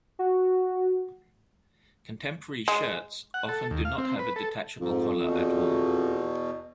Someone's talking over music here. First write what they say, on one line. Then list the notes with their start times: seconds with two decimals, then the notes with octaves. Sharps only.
Contemporary shirts often do not have a detachable collar at all.
0.19 F#4
2.68 G#3
3.34 F#5
3.49 A4
3.71 D#2
3.85 F5
3.98 C4
4.19 B4
4.36 A4
4.81 F2 G#2
5.25 E2 B2